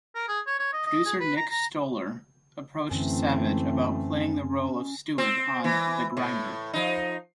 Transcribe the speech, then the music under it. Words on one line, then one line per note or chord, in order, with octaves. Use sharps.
Producer Nick Stoller approached Savage about playing the role of Stewart on "The Grinder".
A#4
G#4
C#5
C#5
D#5
D#5
G#4
B4
A#5
A#5
F#2 D3 E3 A3 C4 C#4
C4
E3
A2
F3 D#4